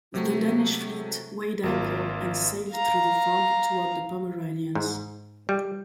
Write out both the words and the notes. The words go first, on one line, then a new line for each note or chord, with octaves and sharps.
The Danish fleet weighed anchor and sailed through the fog toward the Pomeranians.
C3 F#3 A3
G#1 A#3 F4
F5 A#5
G#2
G3